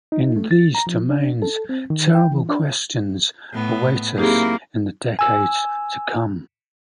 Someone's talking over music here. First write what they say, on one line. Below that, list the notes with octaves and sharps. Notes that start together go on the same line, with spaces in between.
In these domains, terrible questions await us in the decades to come.
D#4
A3
A6
A#5
F3
D4
A4
C4
D#3
G5
E3
D4
A2 B3
F#3 A#3 C4 D#4 E4 G4 G#4
G#5 E6